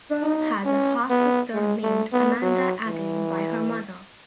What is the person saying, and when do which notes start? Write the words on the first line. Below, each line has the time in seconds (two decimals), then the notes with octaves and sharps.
Pearl has a half sister named Amanda Aday by her mother.
0.22 D#4
0.65 C#4
1.10 B3
1.53 G#3
1.83 A3
2.12 B3
2.42 F#3
2.87 E3